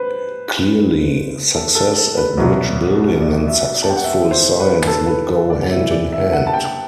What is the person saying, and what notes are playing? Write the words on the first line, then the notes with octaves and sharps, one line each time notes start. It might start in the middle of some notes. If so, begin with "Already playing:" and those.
Clearly, success at bridge building and successful science would go hand in hand.
Already playing: B4 C5
A4
A4
A4
B4
C2 B2 F#3
D5
E5
A5
G5
F#5
E5
C5
B4
A4
B4
B4
D5
E2 C3 E3 E5
D5
E5
F#5
A5
G5